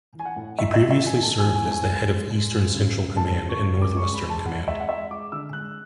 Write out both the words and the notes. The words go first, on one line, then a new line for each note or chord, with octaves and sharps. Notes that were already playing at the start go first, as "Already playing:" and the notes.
He previously served as the head of Eastern Central Command and North Western Command.
E3 G#5
F#5
A2
A2 E5
E5
A2
E5
E3
G#5
A3 A5
E3 G#5
G#5
A2
G#5
G#3
G#3
G#3
G#3
C#3
C#3
G#3 A5
C#3
C#6
C#3
G#3 D6
C#6
G#3
B5
G#3
A5
G#3 F#5
G#3 E5
F#5
G#3 E5
G#3 D6
D3 E6
G#3 F#6